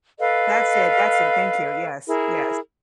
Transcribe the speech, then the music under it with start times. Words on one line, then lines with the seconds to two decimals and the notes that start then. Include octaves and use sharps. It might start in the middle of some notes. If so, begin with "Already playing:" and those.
That's it. That's it, thank you. Yes, yes.
0.19 A4 B4 D#5 F5
2.07 E4 G#4 A#4